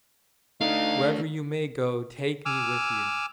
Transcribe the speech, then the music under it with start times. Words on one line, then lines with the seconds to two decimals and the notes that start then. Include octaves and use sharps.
Wherever you may go take me with you!'
0.61 A3 D4 D#4 F5
2.46 G#5 D6 E6 F6